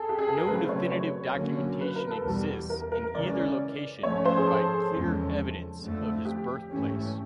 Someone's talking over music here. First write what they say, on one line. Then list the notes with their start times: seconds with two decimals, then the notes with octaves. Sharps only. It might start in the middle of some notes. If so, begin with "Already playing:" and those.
No definitive documentation exists in either location to provide clear evidence of his birthplace.
Already playing: G#4 A4
0.09 G4
0.19 G#4
0.28 A4
0.38 A#4
0.47 C#3 F#3 A3 C4 B4
0.69 C#5
0.92 C#5
1.36 D3 F#3 A#3 C#4
1.81 B4
1.96 A#4
2.11 A4
2.25 E2 B2 G3 B3
2.70 A#4
2.92 A#4
3.14 C#3 E3 G#3 C#4 D5
4.03 G#2 F3 A3 C#4 C#5
4.26 C5
4.38 G#4
4.47 A4
4.92 E2 C#3 F3 G#3 C#4
5.82 F2 D3 F3 A3
6.25 G4
6.71 G#2 E3 A3 C#4